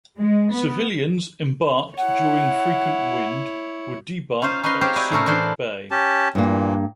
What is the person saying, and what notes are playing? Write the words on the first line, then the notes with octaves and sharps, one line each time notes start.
Civilians embarked during "Frequent Wind" were debarked at Subic Bay.
G#3
B3
E4 C#5 F#5
C#4 D#4 F4 C5
C#4 D#4 B4 D#5 C6
C4 G4 G#4 C5 C#5 F5
D#4 E4 F#4 D5 G#5
A2 C#4 A4 A#4 C5
E3 D4 F4 C5 C6
C#4 G4 A5
G2 A#2 E3 A#3